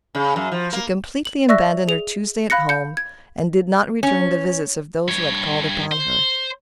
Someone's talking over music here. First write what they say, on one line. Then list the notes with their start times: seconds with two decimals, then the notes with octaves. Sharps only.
She completely abandoned her Tuesdays at home, and did not return the visits of those who had called upon her.
0.15 C#3
0.36 F#2
0.52 F3
0.73 A#3
1.25 F#7
1.49 D5 E5 C#6 E6 F#6 A#6
1.88 G#4 F7
2.50 F5 B5 F#6 A#6 C#7
2.69 G6 C#7
2.97 G#6
4.03 C#4
5.08 G2 C#5
5.91 C5